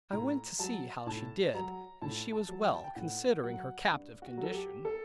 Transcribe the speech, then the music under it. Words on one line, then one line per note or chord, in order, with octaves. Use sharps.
I went to see how she did, and she was well, considering her captive condition.
A2 A#5
F#3 A5
A2 A5
F#3 A#5
A2 A5
A5
F#3
G5
A5
G5
A2 F#5
F#3 F#5
G2
F#4
F#3
A4
G4
A4